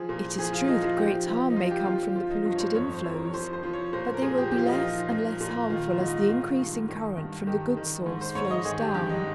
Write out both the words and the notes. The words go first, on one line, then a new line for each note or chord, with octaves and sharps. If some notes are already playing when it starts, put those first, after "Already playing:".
It is true that great harm may come from the polluted inflows, but they will be less and less harmful as the increasing current from the good source flows down.
Already playing: F3 G#4
A#2
F3 G#4
F4
F3 D#4
F4
F3 G4
F3
D#4
F3 F4
G4
F3 F4
F3 F4
D#4
G2 F4
C#5
C5
F2 C#5
C5
F2
A#4
C#5
F3 C5
C5
F3
C#5
A#2 C5
A#4
A#2 G#4
G4
F3 G4
F4
D#4
F4
F3
A#2
A#2
D#3 F4
F4
G#2 D#4
D#3 F4
G2
D#3
G2
D#3 G4
D#3
G#2
C5
G#2 C#5
D#5
D#3 G#4
G4
G2 G4
D#4